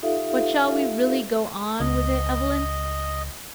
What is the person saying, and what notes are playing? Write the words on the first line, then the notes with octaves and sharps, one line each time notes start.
"But, shall we really go on with it, Evelyn?"
D#4 F4 G4 A4 E5 F5
C#2 D#5